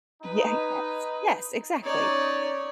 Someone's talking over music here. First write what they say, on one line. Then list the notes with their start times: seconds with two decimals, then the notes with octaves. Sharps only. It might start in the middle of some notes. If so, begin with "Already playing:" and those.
Yeah, yes, yes, exactly,
0.23 D#4 B4 G#5
1.83 C#4 D#4 C#5 D5